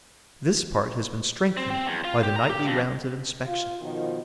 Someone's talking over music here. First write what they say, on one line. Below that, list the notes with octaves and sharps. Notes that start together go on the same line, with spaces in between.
This part has been strengthened by the nightly rounds of inspection.
C4
C4
E2
F4
G4
A#5
G4
F2
F4
B2 D#3 F3